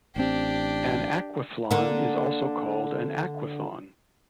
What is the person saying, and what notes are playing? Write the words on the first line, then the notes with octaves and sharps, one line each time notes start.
An aquathlon is also called an aquathon.
A1 C4 D4 G4
D3 A#3